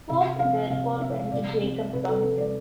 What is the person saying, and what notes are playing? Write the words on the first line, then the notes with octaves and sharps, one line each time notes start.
Pope therefore went to Jacob Tonson.
C3 E5
F3 C4 F5
C3 F5
F3 C4 E5
C3 D5
F3 C4
C3 B4
A4
F3 C4 B4
D5